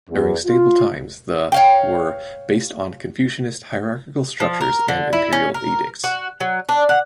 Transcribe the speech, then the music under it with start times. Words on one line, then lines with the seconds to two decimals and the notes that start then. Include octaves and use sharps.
During stable times the were based on Confucianist hierarchical structures and imperial edicts.
0.10 E2
0.46 F4
1.52 C#5 F5 G5
4.40 F3
4.61 A#4
4.88 D3
5.13 E4
5.33 C#4
5.54 A#4
6.04 F#4
6.41 F#3
6.69 D4
6.89 F#5